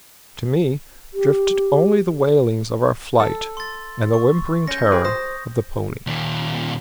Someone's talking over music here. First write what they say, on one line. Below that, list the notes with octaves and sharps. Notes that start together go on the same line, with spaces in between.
To me drifted only the wailings of our flight and the whimpering terror of the pony.
G4
A4 E6
C6 A6
C#6
C#4 G6 A#6
G4 G#4 B4
C5 D#6 A#6
D#2 A#2